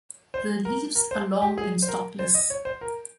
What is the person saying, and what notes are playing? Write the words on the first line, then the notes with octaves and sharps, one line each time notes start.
The leaves are long and stalkless.
C5
A#4
A#4
C5
G4
G#4
C5
A#4
C5
D#5
C#5
C5
A#4